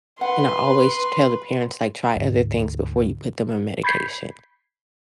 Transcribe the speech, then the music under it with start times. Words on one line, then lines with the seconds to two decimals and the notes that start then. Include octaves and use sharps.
and I always tell the parents, like, "Try other things before you put them on medication."
0.21 B4 F#5 C6
2.15 D2 G#2
3.84 B5 G6 G#6 B6 C7